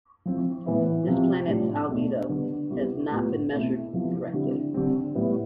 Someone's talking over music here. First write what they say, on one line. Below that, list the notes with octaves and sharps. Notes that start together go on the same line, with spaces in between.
This planet's albedo has not been measured directly.
F3 C4 E4
A2 E3 B3 E4
C3 F3 C4 F4
A2 G3 D4 F4
B2 A3 D4
D3 G3 B3 D4
C3 G3 B3 E4
A2 G3 B3 F4
B2 A3 C4 E4
C3 F3 B3 E4
D3 G3 C4 E4
D3 G3 C4
A2 G3 B3 E4